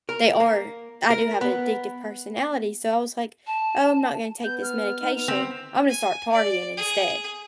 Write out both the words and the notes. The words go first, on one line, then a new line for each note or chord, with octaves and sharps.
they are I do have an addictive personality. So, I was like, "Oh, I'm not gonna take this medication. I'm gonna start partying instead."
A#4
A#3
A#4
B3
A5
B3 G6
F6
D#4
B3 F7
C4
G#5
D5
G#4